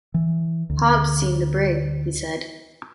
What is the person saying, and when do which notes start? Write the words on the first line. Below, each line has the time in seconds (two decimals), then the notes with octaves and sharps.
"Hob's seen the brig," he said.
0.14 E3
0.70 D2